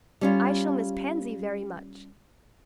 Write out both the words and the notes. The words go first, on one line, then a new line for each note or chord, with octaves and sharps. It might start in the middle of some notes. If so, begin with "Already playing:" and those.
"I shall miss Pansy very much."
G3 C#4 F4